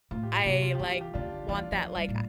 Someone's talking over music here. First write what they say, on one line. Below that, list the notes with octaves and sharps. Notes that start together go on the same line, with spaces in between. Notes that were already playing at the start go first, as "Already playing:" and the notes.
I, like, want that, like, a
A2 F4
G4
F4
C3 G4
F4
E3 G4
F4
G4
D3 D4 F4
E3 D4 F4
F3
G3
A2